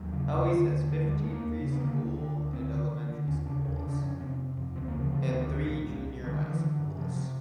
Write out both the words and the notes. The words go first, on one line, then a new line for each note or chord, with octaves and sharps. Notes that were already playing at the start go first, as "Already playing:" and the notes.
Houilles has fifteen preschool and elementary schools and three junior high schools.
Already playing: D#2 F#3
C#3
D#2
D3
D#2
D3
D#2 G3
G#3
D#2 A3
A#3
D#2
C#3
B3
D3 A#3
D2
D3
D2
D2 C4
D3
D3
D3
D#2 C#4
C#3 D4
D#2 C#4
D4
C#3
D4
F2 C#4
C3
C3
F2
D2 C4
A#3
C#3
F3
C#3 F3
E3
D2 D#3
D3
C2 D#3
A#2
C2
C2
D3 D#3
D#3
D3
E3
D3
F#2
C3 F3
C3